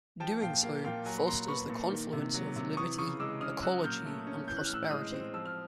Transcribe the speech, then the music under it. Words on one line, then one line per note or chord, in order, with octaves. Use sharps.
Doing so fosters the confluence of liberty, ecology, and prosperity.
F3 G5 A5
A#2 F5 G5
A#3 F5
A#2 F5 G5
F#3 G#5 A#5
B5
A#2 A#5 C6
B3 B5 C#6
A#2
D#3
C3
F#3
C3
E3 C#6 D#6
C#3 C#6 D#6
G#3 D6 E6
C#4 D#6 F6
F#3 E6 F#6
A#2 F6 G6
A3
C#4
E3 G6
F#6
F6
A2 E6 F#6
G#3 D#6 F6
C4
F3 E6
F6